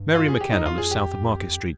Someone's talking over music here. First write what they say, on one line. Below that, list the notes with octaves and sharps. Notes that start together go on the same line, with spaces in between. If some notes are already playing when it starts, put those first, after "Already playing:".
Mary McKenna lives south of Market Street.
Already playing: G2
F4
G#4
G4
F2 D#4
F4
G#4
G4